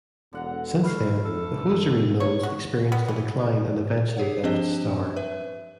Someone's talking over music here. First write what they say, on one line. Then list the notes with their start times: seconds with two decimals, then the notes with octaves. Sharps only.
Since then, the hosiery mills experienced a decline and eventually left Star.
0.33 E1 D3 F#5 A#5
0.83 G#3 A3 B5 F6 C7
1.25 F2 A4
1.56 G2 E4
2.20 C#5
2.43 F#4
2.92 B3
3.08 E3
4.17 G4 G#4 C#5 F#5
4.43 F3 C4 D4 G4 C5 D#5
5.16 B4 E5